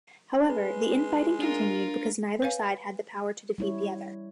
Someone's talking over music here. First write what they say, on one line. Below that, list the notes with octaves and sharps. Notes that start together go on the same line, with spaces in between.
However, the infighting continued because neither side had the power to defeat the other.
G#3 B4
D4 F4 A#4
B4 C#5 F5 G#5
G3 E4 C#5